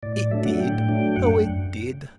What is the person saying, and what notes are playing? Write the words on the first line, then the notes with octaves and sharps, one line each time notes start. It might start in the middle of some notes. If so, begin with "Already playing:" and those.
It did, oh it did.
A2 D5
D5
F#3 A3 D4 E5
F#5
A2 G5
F#3 A3 D4
F#2 F#5